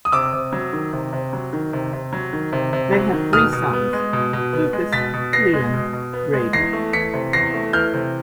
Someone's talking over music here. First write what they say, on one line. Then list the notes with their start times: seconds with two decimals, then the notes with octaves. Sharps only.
They have three sons: Lucas, Liam, Grady.
0.05 D#6
0.12 C3 D6 E6
0.33 C3
0.53 F#3
0.73 D#3
0.93 C3
1.13 C3
1.33 F#3
1.53 D#3
1.73 C3
1.93 C3
2.13 F#3
2.33 D#3
2.53 C3
2.73 C3
2.93 F#3
3.13 D#3
3.33 B2 D#6 F6
3.53 B2
3.73 B3
3.93 G#3
4.13 B2
4.33 B2
4.53 B3
4.73 G#3
4.93 B2 A6 B6
5.14 B2
5.33 B3 A#6 C7
5.54 G#3
5.73 B2
5.93 B2
6.13 B3
6.33 G#3
6.53 E2 A#6 C7
6.73 A3
6.93 E3 B6 C#7
7.14 C3
7.33 E2 A#6 C7
7.54 A3
7.73 E3 F6 G6
7.94 C3